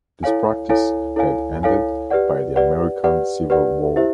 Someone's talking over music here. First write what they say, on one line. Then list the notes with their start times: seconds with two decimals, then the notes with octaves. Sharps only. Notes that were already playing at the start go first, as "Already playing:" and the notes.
This practice had ended by the American Civil War.
0.23 E4 A4 C#5 F5 G#5
0.69 E4 A4 C#5 F5 G#5
1.16 E4 A4 C#5 F5 G#5
1.63 E4 A4 C#5 F5 G#5
2.10 G4 B4 D5 F#5
2.56 G4 B4 D5 F#5
3.04 G4 B4 D5 F#5
3.50 G4 B4 D5 F#5
3.96 E4 G4 C5 E5